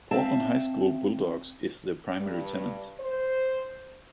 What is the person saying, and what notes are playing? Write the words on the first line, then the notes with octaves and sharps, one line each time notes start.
Portland High School Bulldogs is the primary tenant.
C4 E5 F5 A5
G2
C5